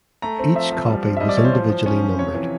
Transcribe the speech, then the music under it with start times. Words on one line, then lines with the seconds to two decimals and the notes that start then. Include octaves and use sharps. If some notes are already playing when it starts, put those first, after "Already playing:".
Each copy was individually numbered.
0.22 A3 A#5
0.39 C4
0.55 F3 E5
0.72 F3
0.88 G3
1.05 C4
1.17 E5
1.20 G3 D#5
1.29 D5
1.37 E3 C#5
1.45 C5
1.53 F3
1.69 F3
1.86 C#4
2.03 F3
2.18 C3 C#5
2.35 E3